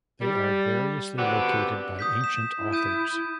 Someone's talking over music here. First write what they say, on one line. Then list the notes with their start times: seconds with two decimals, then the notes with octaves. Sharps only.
They are variously located by ancient authors.
0.21 G3
1.18 D3 B3 C4 D4 F#4 G4
1.99 D#6 G6 B6
2.21 B6 E7
2.58 E4
2.73 D#6 G6 D#7